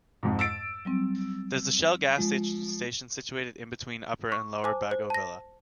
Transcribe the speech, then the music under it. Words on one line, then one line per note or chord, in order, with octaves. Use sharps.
There is a Shell gas station situated in-between Upper and Lower Baguio Villa.
F2 G#2
E6 A6 D7
F#3 G3 C4
F3 G#3
C#6
C5 G#5 A5 D6
C5
A5 A#6